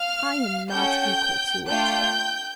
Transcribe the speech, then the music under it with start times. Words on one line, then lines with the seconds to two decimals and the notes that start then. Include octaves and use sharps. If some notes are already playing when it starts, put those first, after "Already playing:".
I am not equal to it.
Already playing: F5 F6
0.72 C#4 F#4 A4 G5 G6
1.68 A3 D4 F4 G5 G6